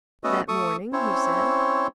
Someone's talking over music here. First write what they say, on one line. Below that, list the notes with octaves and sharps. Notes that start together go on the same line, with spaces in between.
That morning, he said.
A3 B3 C#4 F#4 A4 D#5
A3 A4 C#6 D#6
C4 C#4 E4 C5 C#5